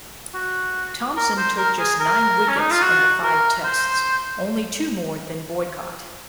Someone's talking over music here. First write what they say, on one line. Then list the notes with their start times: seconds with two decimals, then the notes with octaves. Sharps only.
Thomson took just nine wickets in the five Tests, only two more than Boycott.
0.34 F#4
1.17 A#4
1.38 C5
1.58 A#4
1.79 G#4
2.00 A#4
2.48 C#4
2.60 D#4
2.71 F4
2.82 F#4
3.24 A#4
3.65 C5